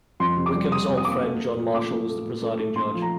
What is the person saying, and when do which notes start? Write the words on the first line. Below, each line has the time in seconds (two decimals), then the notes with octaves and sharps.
Wickham's old friend John Marshall was the presiding judge.
0.20 F2 C6
0.37 C3
0.46 D6
0.55 G3
0.71 G3 D#6
0.88 C3
0.97 D#6
1.05 A#3 D6
1.12 D#6
1.23 A3
1.39 A3
1.57 A#2
1.74 A3 D6
1.91 A3
2.08 A3
2.26 A#2
2.42 A3
2.59 A3
2.76 A3 C6
2.94 F3
3.02 A#5